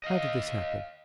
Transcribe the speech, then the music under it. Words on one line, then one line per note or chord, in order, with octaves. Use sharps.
How did this happen?
D#5 F5